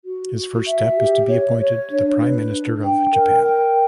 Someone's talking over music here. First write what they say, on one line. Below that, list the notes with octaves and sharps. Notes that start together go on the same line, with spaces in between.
His first step is to be appointed the Prime Minister of Japan.
F#4
F#4
E5
G4
C#5
C#5
D4
B4
D4
G5
A#4
G5